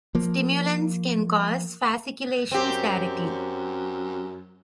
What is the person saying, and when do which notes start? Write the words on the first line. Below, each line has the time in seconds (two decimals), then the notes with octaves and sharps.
Stimulants can cause fasciculations directly.
0.15 F3 A#3
2.52 F#2 C4 G4